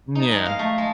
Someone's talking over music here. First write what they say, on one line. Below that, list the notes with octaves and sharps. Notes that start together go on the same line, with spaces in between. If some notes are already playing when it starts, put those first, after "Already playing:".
Mm, yeah.
D#4
G#3
F5
A3
G#3